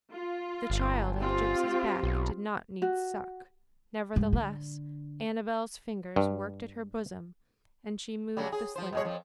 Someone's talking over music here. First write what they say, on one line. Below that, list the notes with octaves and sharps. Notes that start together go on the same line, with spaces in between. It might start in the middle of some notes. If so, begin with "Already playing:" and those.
The child at the gipsy's back did not need suck; nevertheless, Annabel's fingers worked at her bosom, and she moved the sling.
F4
G1
C4 F4 G4
B1
F#4
G#2
D3
G2
C#3 F#3 G3
G#4
F3 C5
B2 G#3 C#5
F2 F3